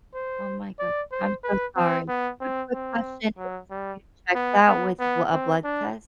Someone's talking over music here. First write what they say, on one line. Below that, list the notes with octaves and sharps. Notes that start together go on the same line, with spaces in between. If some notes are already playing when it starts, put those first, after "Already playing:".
Oh my gosh, I'm so sorry. Quick quick question, it was can you check that with bl a blood test?
C5
D5
C5
B4
C4
B3
C4
C4
F#3
G3
B3
B3
B3
C4
D4